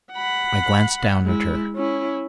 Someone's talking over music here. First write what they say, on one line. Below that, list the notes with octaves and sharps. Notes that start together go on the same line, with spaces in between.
I glanced down at her.
F#5 B5
G#3 E4
C#4 E4